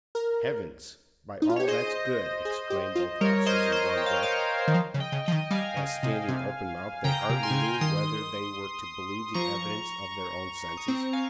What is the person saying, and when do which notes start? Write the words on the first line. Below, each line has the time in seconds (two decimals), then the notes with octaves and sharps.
"Heavens!" "By all that's good!" exclaimed both officers in one breath, as, standing open-mouthed, they hardly knew whether they were to believe the evidence of their own senses.
0.15 A#4
1.42 D#4
1.50 F4
1.56 G4 C#5
1.68 G#4 C5 D#5
2.45 G#4
2.70 G4
2.95 F4
3.21 G3 A#4 C#5
3.46 C5 D#5
3.72 C5 D#5
3.97 G5
4.06 F5
4.14 D#5
4.23 C#5 F5
4.67 D#3
4.74 F3
4.94 C#3
5.00 D#5 G5
5.12 C#3
5.25 F3 D#5 G5
5.32 D#3
5.51 G3 F5 G#5
5.77 C#3
6.03 C3
6.28 C3
7.04 C#3 G5 A#5
7.29 C3
7.43 G#5 C6
7.50 C3
7.55 C#3
7.81 D#3 C6 D#6
9.34 F3 A#5 C#6
10.77 D#6
10.88 C4 A#5 C#6
11.13 F5 G#5